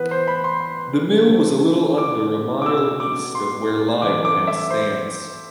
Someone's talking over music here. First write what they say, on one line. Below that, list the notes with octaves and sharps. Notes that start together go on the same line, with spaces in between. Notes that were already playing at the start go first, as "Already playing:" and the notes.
The mill was a little under a mile east of where Lyle now stands.
Already playing: E3 B3 B4
C5
B5
C6
E3 A3 C4
D6
D6
B2 B3 E6
D6
C6
E3 A3 C4 D6
D6
E5
C5